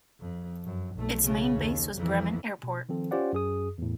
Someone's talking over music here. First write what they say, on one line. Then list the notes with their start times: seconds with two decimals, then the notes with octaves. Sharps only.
Its main base was Bremen Airport.
0.20 F2
0.65 F#2
0.96 B1 A3
1.24 C#3
1.55 D#2
1.95 F2 E3
2.63 B2
2.89 D#3 F3 C4 A4
3.11 C#4 F4 G4 C5 D5 F#5
3.33 F#2 G#4 D#6
3.78 E2 A2